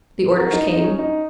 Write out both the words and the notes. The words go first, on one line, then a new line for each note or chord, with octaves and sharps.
The orders came.
F#4 A#4
D#4
D#4
C#4
D#4